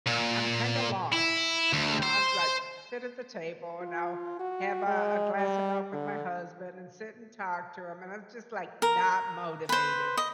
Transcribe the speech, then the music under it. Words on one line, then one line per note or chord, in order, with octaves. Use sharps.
I'm kinda lost, you know, I was like, sit at the table and I'll have a a glass of milk with my husband, and sit and talk to him, and I'm just, like, not motivated,
A#2
E4
D2
C5
F4
F#4
G#3
G3
D3
A#4
B4 C5
D#5